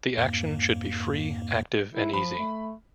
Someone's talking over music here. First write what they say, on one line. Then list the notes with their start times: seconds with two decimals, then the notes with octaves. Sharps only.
The action should be free, active and easy.
0.18 F2 G#2 A#3
1.95 E4
2.13 F3 B5
2.38 A3